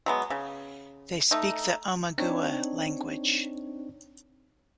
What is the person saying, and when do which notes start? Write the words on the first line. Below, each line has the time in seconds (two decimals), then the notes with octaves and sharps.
They speak the Omagua language.
0.06 F#3 G#3 B3
0.30 C#3
1.31 A3 D#4
2.18 C4 D4 D#4 C#5